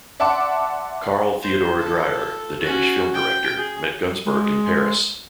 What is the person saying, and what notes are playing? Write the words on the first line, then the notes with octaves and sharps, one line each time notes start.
Carl Theodor Dreyer, the Danish film director, met Gunzburg in Paris.
D5 E5 F#5 A5 C6 D6
C5
F4 A4
C#4 F#4
G5
G#4
G#3